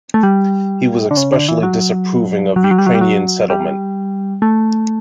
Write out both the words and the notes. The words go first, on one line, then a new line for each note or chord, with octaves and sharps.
He was especially disapproving of Ukrainian settlement.
A3
G3
D3
C#3
D3
E3
F#3
F#3
G3
F#3
G3
F#3
G3
F#3
G3
A3